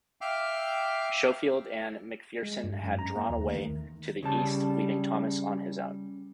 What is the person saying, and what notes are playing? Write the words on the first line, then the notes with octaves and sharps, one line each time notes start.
Schofield and McPherson had drawn away to the east, leaving Thomas on his own.
E5 F5 G5 D6 F6
G#3
G2
F#2
A#5
A#3
D#2
A3
D#3
C#3 G3 A5